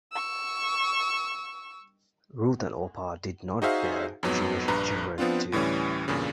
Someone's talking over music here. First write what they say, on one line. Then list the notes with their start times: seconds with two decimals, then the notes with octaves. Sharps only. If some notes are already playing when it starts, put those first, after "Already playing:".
Ruth and Orpah did not bear Jewish children, too.
0.12 C#6 E6
3.62 D#4 F#4 G#4 C5 E5 F5
4.23 F2 G#2 F#3 B3
4.68 A#1 G2 B4 A#5
5.18 F3 B3 C4 D4 F4
5.52 D2 A2 E3 G3 C#4
6.08 E2 G2 A#2 C#3